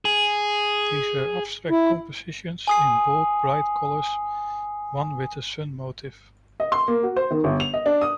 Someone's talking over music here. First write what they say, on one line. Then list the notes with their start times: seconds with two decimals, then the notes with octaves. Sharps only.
These were abstract compositions in bold, bright colours, one with a sun motif.
0.05 G#4
1.70 E4
2.67 G#5 D#6 C7
6.60 D#5
6.72 C6
6.88 A#3
7.03 F#4
7.16 C5
7.31 D#3
7.44 G1
7.60 F7
7.74 D#5
7.86 D4
8.01 D#6